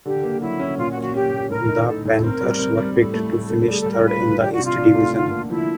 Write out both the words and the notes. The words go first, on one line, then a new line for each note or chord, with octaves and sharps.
The Panthers were picked to finish third in the East Division.
D3 G4
A#3
F#3 E4
C#4
A#2 F4
F#4
A#3
F#4
C#4 G4
A#2
A2 A#4
D#4
D#4 A4
A2 A4
C4 A#4
G3
C4
G3
A2 A4
A3
A2
A3
G3 G#4
A4
G3
A#4
F4 B4
F4
D4 G4
F#4
C3
F4
D4
A3
D3
A#3
F3 E4